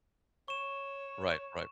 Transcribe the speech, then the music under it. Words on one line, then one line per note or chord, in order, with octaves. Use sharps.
Right, right.
C#5 C#6 E7